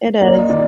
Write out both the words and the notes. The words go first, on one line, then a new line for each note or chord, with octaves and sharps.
It is.
A#3 D5
D#5
D#3 D5